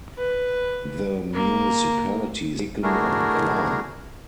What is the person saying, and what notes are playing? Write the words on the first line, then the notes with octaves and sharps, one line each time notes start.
The municipalities had taken an alarm.
B4
A#3
A3 D4 E4 F#4 G#4 A#4